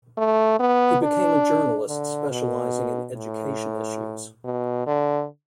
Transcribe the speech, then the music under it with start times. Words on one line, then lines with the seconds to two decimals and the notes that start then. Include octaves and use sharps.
He became a journalist specializing in education issues.
0.18 A3
0.59 B3
1.03 D4
1.89 D3
2.31 B2
3.16 A2
4.45 B2
4.87 D3